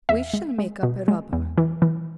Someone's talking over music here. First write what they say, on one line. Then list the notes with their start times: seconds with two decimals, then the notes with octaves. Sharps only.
We shall make up a rubber.
0.09 E2 E5
0.33 G#3
0.58 G#3
0.83 B2
1.08 G#3
1.33 E2
1.58 E3
1.82 E3